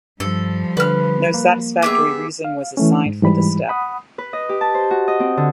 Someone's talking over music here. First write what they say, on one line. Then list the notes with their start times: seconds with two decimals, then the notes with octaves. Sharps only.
No satisfactory reason was assigned for this step.
0.20 G2 F3 G3 A4
0.77 D3 B4 F6
1.34 A#3
1.82 B3 G4 G#4 E5
2.45 F5
2.77 E3 A3 C#4
3.06 G#2
3.22 G#2 E3 G3 B5
3.68 F#5 B5 D#6
4.18 B4
4.33 D#5
4.49 G4
4.61 A5
4.74 C5
4.91 F#4
5.08 D#5
5.20 C4
5.37 D3